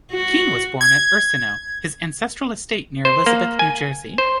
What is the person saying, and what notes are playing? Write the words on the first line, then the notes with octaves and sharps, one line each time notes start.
Kean was born at "Ursino", his ancestral estate near Elizabeth, New Jersey.
F#4
G#6
C5
A#3
G#5
C5